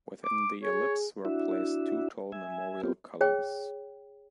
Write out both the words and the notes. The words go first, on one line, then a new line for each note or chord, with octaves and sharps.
Within the ellipse were placed two tall memorial columns.
D6
G#4 C#5
D4 E4 F#4 E5
E5 G#5
B3 C4 F4 G4
G#4 C#5 G5